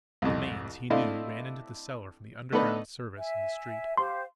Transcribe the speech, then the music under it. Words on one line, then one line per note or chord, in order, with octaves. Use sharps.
The mains, he knew, ran into the cellar from the underground service in the street.
C2 F2
A3 C4 D4 E4 D#5 F5
A3 B3 D4 D#4 B4 D#5
E5 G#5
G4 C5 F5 C6